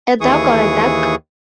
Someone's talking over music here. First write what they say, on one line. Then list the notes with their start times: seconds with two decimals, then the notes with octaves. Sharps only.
A dog or a duck?
0.21 D#2 E3 G#4 C#6 D#6